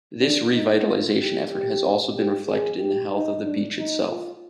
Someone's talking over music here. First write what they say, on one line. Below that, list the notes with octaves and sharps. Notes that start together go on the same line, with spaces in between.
This revitalization effort has also been reflected in the health of the beach itself.
D4
D#4
F4
G4
G4
G4
G#4
G4
D#4
D4
D#4
F4